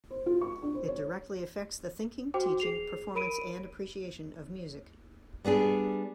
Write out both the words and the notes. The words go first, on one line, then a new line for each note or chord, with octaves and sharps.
It directly affects the thinking, teaching, performance and appreciation of music.
C5
F4
C#6
D4
C5
C#5
F#4 C5 G5 D6
G#4 C7 F7
A#4 B5 D7 D#7
G3 B3 D4 G#4